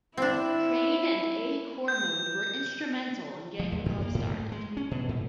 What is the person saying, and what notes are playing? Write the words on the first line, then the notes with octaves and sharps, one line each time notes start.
Craine and A. Cormode were instrumental in getting the club started.
C4 D4 E4
G6
F3
D#2
F#2
A#3
G#2
A3
G#3
C#4
B2
G#2